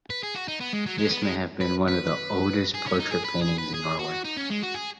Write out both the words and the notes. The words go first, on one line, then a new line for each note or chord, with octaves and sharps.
This may have been one of the oldest portrait paintings in Norway.
B4
G#4
F#4
D#4
B3
G#3
F#3
G#3
B3
G#3
B4
B4
G#4
C#4
D#4
G#4
B4
G#4
B4
G#4
F#4
D#4
C#4
G#3
F#4
G#4